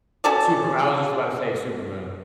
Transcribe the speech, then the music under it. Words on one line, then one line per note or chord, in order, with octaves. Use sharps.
Superma I was just about to say Superman.
C#4 F#4 A4 D5